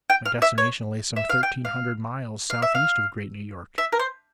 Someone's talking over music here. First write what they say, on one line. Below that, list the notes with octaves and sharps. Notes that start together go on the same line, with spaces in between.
My destination lay some thirteen hundred miles southeast of Great New York.
G5
F5
E5
C#5
E5
F5
G5
F5
F5
E5
F5
E5
A#4
C5